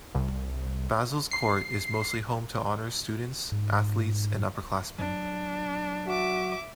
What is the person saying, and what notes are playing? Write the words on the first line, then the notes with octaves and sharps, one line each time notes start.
Basil's Court is mostly home to honors students, athletes, and upperclassmen.
C2
C7
G#2
F#3 D4
F#4 E5 D6